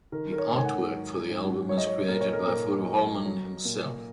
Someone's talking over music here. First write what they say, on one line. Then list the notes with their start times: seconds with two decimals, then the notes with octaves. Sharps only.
The artwork for the album is created by Furuholmen himself.
0.12 D#3 A#4
0.32 A#4
0.39 C#5
0.51 G#2
0.58 G#5
0.65 F#5
0.91 F#3
1.30 G#2
1.69 F#3 C#5
1.78 D#5
1.87 C#5
2.08 A#2 A#4
2.21 C#5
2.33 A#4
2.47 A#2 A#4
2.87 F#3
3.26 F#3
3.65 A#2